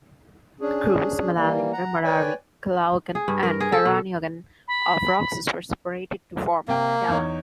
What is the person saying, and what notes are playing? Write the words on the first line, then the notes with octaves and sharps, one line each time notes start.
Cruz, Malalinta, Mararigue, Calaocan, and Caraniogan of Roxas were separated to form Callang.
C#4 D4 G#4
E3 G3 A#3
F#5 A#5
B4 C#5 D5 G5 G#5
G#4
G2
A#4
G#4
A4
B2
B5
C3 A#3 G5
E2 D#4 C#5